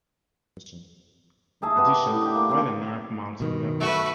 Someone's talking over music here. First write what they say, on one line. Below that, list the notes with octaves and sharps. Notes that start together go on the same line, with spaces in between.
In addition, while a nymph moults it never enters a pupal stage.
D#4 G#4 E5 A5
B3 G4 D5 D#5
A2
D4 G4
A#3
A#3 C4
B2 D#3
A3 F#4 B4